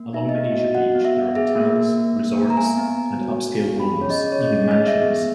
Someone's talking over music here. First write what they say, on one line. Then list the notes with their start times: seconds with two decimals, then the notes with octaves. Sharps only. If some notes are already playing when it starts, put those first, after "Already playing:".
Along the Asia Beach there are hotels, resorts, and upscale homes, even mansions.
Already playing: A#3
0.13 D#4 E5
0.29 D#5
0.34 B3
0.45 D#5
0.54 F#4
0.59 D#5
0.74 F#4 F#5
0.95 B3
1.05 E5
1.15 B3
1.35 G#4 E5
1.55 A#3
1.76 A#3
1.97 A#3
2.17 A#3
2.37 A#3
2.50 A#5
2.57 B3 G#5
2.78 B3
2.99 B3
3.18 F#4
3.39 F#4
3.59 B3
3.80 G#4 B5
4.00 C#4 C#5
4.10 D#5
4.20 G#4
4.32 C#5
4.41 C#4 D#5
4.62 G#4
4.71 D#5
4.82 G#4 E5
5.02 B3